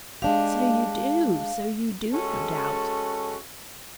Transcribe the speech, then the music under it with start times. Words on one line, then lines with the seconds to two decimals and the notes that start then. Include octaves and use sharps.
'So you do, so you do, no doubt.
0.22 G#3 D4 G4 F5
2.13 G#3 C#4 F#4 A4